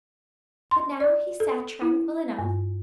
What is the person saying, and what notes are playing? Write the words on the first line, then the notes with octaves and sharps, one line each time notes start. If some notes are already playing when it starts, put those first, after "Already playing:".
But now he sat tranquil enough.
C6
D5
A4
E4
G2